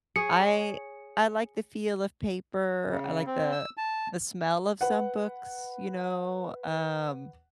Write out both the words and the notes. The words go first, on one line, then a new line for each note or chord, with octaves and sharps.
I I like the feel of paper. I like the the smell of some books, you know, um,
G#4 C#5 C#7
C#3
C4
E6
A5
B4 F#5